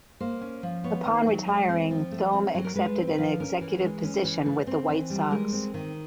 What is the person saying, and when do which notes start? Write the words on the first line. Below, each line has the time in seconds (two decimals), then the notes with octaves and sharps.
Upon retiring, Thome accepted an executive position with the White Sox.
0.20 A#3 C5
0.41 C#4
0.63 F3
0.84 B3 C#5
1.06 D#3
1.27 F#3
1.48 G#3
1.69 C4
1.91 F3
2.12 A3
2.33 C4
2.55 F#3
2.64 A#4
2.75 G#3 B4
2.97 C4
3.07 B4
3.18 F3
3.40 C#4 A#4
3.61 E3
3.82 G#3
4.04 C#4
4.25 E3
4.46 A3
4.67 C4
4.89 E3
5.10 G3
5.31 G#3 A#4
5.52 C4
5.74 D#3